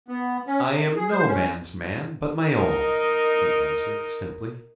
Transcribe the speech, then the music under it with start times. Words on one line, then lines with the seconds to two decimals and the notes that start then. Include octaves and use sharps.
"I am no man's man but my own," he answered, simply.
0.08 B3
0.47 C#4
0.70 C3
0.95 G#4
1.11 C5
1.27 C#4
2.52 D#4 A#4 D#5